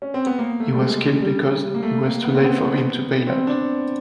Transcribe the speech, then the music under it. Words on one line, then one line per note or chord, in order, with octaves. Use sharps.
He was killed because it was too late for him to bail out.
C#4
C4
B3
A#3
A3
G3
G#3
G3
G3
G3
A#3
A3
A#3
B3
C4
B3
C4
D4